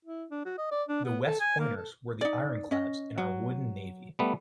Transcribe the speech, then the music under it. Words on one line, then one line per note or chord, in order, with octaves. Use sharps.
The West Pointers were the ironclads in our wooden navy.
E4
D4
F#4
D#5
D5
D4
B3
A4
G#5
A#3
A4
D#4 D5
C#4 D#5
F#3 F#4
G3 A3 B3